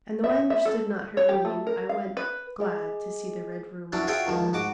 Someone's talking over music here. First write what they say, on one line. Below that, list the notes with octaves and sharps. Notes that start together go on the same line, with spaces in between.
And, though I understood not her meaning, I went, glad to see the Red Room once more.
E5
E5
A4
C#5
G4
A3
A#4
F5
B4
G#4 D#5
E3 F#3 C#4 D4
F4 F#4 G#4 C#5 E5 G5
C#2 D#3 F3
G#2 F#4 D6